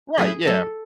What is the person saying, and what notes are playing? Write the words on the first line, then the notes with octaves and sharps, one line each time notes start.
Right, yeah,
F#3 A3 C#4 E4 G#4
F#3 A3 C#4 E4 A4